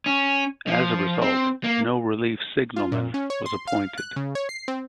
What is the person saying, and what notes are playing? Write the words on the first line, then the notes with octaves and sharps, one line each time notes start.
As a result, no relief signalman was appointed.
C#4
F3
C4
A#3
F4
A#2
C#4
C#5
C6
F5
F#6
C#3
C#5
C7
C4